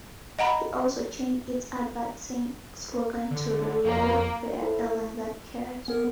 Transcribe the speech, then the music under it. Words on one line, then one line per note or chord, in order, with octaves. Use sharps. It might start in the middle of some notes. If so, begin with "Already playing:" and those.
It also changed its advertising slogan to "The Low Fare Airline That Cares".
D#5 F#5 A#5 B5
D3
F2 A#3
E4 A4 C5
B3 A#4 G#5